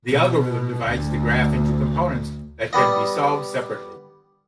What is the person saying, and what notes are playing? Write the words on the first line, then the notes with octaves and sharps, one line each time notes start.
The algorithm divides the graph into components that can be solved separately.
B2
D2
G3 B3 D#5